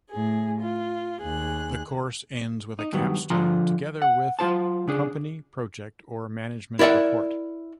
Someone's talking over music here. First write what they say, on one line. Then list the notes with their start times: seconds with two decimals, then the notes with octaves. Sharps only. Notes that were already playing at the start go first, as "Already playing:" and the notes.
The course ends with a capstone together with company project or management report.
0.11 A2 G#4
0.62 F4
1.22 D#2 G#4 F#6
2.79 D#4
2.93 G2 D#3 F#3 B3
3.30 D3 F3 F4 A#5 C6
4.02 F#5
4.39 F#3 F4 C5 A5
4.87 C#3 D4 G#4
6.79 E4 A#4 D5 E5 F#5